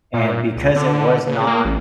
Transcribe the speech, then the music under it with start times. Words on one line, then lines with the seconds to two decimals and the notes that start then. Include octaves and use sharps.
And because it was not
0.14 A#2
0.57 C#2
0.76 D3
1.27 C#3
1.47 A#3
1.65 A1